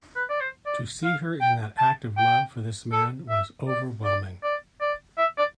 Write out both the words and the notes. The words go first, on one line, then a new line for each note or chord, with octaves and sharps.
To see her in that act of love for this man was overwhelming.
B4
D5
C5
D5
F5
G5
A5
G5
A4
E5
D5
D5
D5
D5
E5
D5